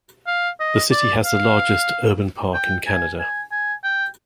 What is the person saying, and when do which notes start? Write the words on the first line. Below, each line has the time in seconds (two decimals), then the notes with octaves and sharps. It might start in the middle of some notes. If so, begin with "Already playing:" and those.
The city has the largest urban park in Canada.
0.27 F5
0.60 D#5
0.91 D5
1.24 F5
2.54 G5
2.87 G#5
3.19 G#5
3.51 G#5
3.84 G5